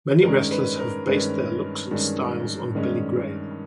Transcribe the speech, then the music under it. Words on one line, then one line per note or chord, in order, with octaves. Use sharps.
Many wrestlers have based their looks and styles on Billy Graham.
G2 D#3 G#3 C#4 A#4
B4
A#4
G2 D#3 G#3 C#4 B4
G2 D#3 G#3 C#4
G2 D#3 G#3 C#4